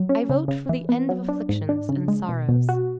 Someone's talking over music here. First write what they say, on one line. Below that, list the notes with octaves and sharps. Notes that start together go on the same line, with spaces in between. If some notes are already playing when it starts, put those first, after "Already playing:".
I vote for the end of afflictions and sorrows.
Already playing: F#3
C#4
C#3
C#3
E3
B3
F#3
D4
G#2
D4
C#3
G#3
B2
B2
F#4